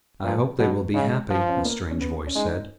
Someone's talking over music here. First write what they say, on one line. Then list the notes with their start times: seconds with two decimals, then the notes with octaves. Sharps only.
"I hope they will be happy," a strange voice said.
0.24 A#2 F3
0.59 B2 F#3
0.94 C#3 G#3
1.30 F3
1.49 C#4
1.57 B3
1.65 A#3
1.91 C#4
2.01 B3
2.27 C#4
2.35 G#3 D#4